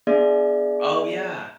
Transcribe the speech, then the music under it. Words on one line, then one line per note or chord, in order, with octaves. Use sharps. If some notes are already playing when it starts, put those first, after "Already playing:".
Oh, yeah.
B3 D4 G#4 D5 E5